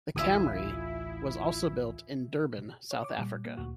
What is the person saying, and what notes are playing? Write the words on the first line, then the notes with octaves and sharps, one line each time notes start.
The Camry was also built in Durban, South Africa.
A1 D2 E4 F4 E5 G#5 D#6
C#5
C#6 D6
A#2 G3
A#3
D2 A#2 F#4